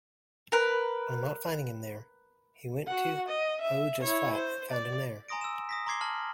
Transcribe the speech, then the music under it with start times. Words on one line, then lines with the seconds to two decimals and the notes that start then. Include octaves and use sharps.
On not finding him there, he went to Ahuja's flat and found him there.
0.52 A#4 B4
2.88 F#4 F#5
3.28 D#5
3.61 E5
4.00 E4 C#5
4.35 C5
4.71 D5
5.28 G#5 A#5 C6 D#6 A#6 D7
5.41 E6 E7
5.69 D#6 A#6 B6
5.86 A#5 C6 D6 G#6 C7 G7
6.01 A5 F6 F#7